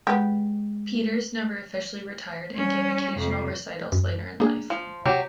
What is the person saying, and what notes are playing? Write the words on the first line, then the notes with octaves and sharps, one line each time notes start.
Peters never officially retired and gave occasional recitals later in life.
G#3 B3 G4
G3 C#4
F2 C3
F#2
A#3 D4 G#4
F3
C3 F#3 G4